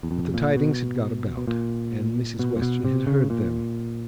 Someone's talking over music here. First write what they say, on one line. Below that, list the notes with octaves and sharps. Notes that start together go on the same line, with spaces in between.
But the tidings had got about and Mrs. Western had heard them.
E2
F2
A#2
B2
B2
A#2
B2
A#2
B2
C3
C#3
A#2